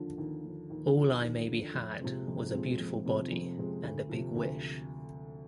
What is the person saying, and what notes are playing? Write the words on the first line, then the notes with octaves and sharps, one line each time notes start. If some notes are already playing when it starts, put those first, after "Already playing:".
All I maybe had was a beautiful body and a big wish.
Already playing: D#2 D3 F3
D#2
D3 F3
D#2
D3 F3
D#2
D3 F3
F2
C3 F3 G#3 C4
F2
C3 F3 G#3 C4
F2
C3 F3 G#3 C4
F2
C3 F3 G#3 C4
D2
C3 F3
D2